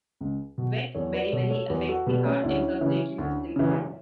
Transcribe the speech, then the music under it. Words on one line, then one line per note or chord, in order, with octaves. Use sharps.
Wet beriberi affects the heart and circulatory system.
C#2
B2
E2 A4 C#5
B4 D5
B2 A4 C#5
A4 C#5
E2 G4 B4
F#4 A4
B2 G3 B3
A3 C#4
D2 C#4 E4
C#3 E3
D2
C#3 E3